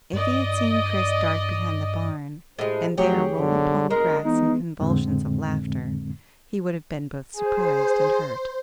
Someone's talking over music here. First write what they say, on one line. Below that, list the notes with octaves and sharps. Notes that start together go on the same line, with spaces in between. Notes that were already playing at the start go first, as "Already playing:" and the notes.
If he had seen Chris dart behind the barn, and there roll upon the grass in convulsions of laughter, he would have been both surprised and hurt.
G2 D5 D#5
A2 G#3 G4 G#4 C5
F2 F#3 A3 G4 G#4 C#5
B1 F#2 D3
F#1 G#3 A#4
E3 B3 D#4
F2 A2 D3 G#3 C4
G#4 C5